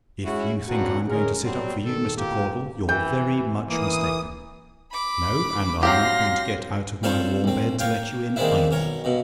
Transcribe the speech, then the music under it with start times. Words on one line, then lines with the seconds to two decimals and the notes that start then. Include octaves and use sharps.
If you think I'm going to sit up for you, Mr. Caudle, you're very much mistaken. No: and I'm not going to get out of my warm bed to let you in, either.
0.25 G#3 C#4 E4 F#4
0.68 G#1 G2 C#4 F#4 F#5 A#5
1.08 D3 G#3 C#4 G#4 A#4
1.44 B2 D3 F#3 G3 C4
1.84 D#3 A4
2.17 A2 A#3 F4 G4
2.89 E3 G5
3.69 E3 A#3 D#6
4.91 B5 D6
5.83 F#3 C4 G4 F5 C6 A#6
7.03 G3 C4 F4 A4 C5 C#5
7.44 A#1 C4
7.79 A#3 C#5 F5 G5
8.36 D#3 G#3 A#3 C4 D4 E4
8.71 B1 A#4 C#5
9.04 G2 B2